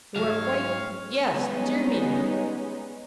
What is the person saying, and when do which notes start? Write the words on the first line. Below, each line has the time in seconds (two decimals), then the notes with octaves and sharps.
You are quite--yes--dear me!'
0.16 G#2 F#3 G#3 C#5 F5
1.30 G3 G#3 B3 C#4 D#4